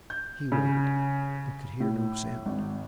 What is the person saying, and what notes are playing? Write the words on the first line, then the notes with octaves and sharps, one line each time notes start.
He waited, but could hear no sound.
G6
C#3
A2
G#1